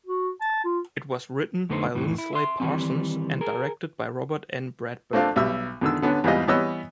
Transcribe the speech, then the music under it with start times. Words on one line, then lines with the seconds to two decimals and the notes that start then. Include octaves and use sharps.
It was written by Lindsley Parsons and directed by Robert N. Bradbury.
0.06 F#4
0.41 A5
0.64 F4
1.69 F2 D3 A3 B3 D#4 C5
1.95 F2 A2 D#3 E3
2.18 E4
2.33 E5 C6
2.60 D#3 E3 G3 A3 C4
3.41 G#4 A#4
5.13 A3 A#3 C4 D4 F4
5.36 B1 G3 E5 E6
5.81 E2 D3 D#3 E6
6.02 D3 B3 C#4 D4
6.24 E2 G#2 E3 G3 F4 D#5
6.47 E3 G3 B3 C#5 D#5 E6